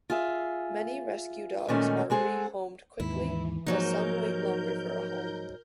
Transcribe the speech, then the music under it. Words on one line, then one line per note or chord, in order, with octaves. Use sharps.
Many rescue dogs are rehomed quickly, but some wait longer for a home.
F4 G#4 E5
A#2 D#3 G#3 A3 C#4 D#4
G#3 C4 G#4 A4 F#5
D#2 G#2 E3 E4
G#2 F3 F#3 A#3 D#4 A#4 G6